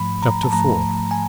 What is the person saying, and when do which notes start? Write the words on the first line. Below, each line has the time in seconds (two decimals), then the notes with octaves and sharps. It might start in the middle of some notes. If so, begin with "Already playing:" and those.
Chapter IV.
Already playing: G#2 F3 A3 B5
0.23 A#5
0.43 A5
0.52 G#2 F3 A3 A#5
1.11 G#5